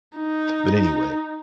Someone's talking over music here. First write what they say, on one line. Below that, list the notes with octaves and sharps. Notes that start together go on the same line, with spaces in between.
but anyway.
D#4